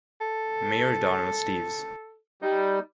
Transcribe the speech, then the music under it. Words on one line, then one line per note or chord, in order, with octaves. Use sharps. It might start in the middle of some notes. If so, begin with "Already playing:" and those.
Mayor Donald Steeves.
A4
G3 D#4